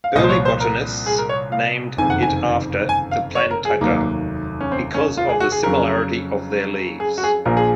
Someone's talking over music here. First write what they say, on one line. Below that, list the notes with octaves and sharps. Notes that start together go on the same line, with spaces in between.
Early botanists named it after the "Plantago" because of the similarity of their leaves.
F5
C2 A#2 F3 D#5
C5
C#5
C5
A#4
G#4
A#4
C#5
F5
F#1 F2 C3 D#3 G#5
F#5
G#5
G#5
F5
C#5
A#4
G#4
F1 D#2 D#3 F#3 A#3
C#4
C4
C#4
F4
G#4
F#4
G#4
F2 C#3 F#3 A#4
G#4
F#4
G#4
A#1 A#2 F3 A#4
G#4